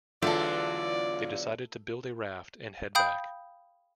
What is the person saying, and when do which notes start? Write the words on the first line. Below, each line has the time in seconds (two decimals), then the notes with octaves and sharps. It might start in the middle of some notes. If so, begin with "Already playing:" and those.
They decided to build a raft and head back.
0.22 E2 D3 F#3 A3 F4 A4 D5
2.95 F5 G5 B5 D#6 G6